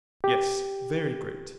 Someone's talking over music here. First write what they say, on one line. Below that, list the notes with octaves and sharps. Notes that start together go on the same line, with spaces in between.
Yes, very great.
G4